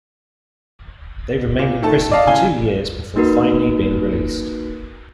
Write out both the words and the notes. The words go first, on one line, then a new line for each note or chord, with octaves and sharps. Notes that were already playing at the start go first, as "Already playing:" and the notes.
They remained in prison for two years before finally being released.
A#2
D#3 A3 A4 A5
D5 D#5 F5 A5
A2 C#3 F5 G#5 G7
A#3 D#4 F#4 A#4 B4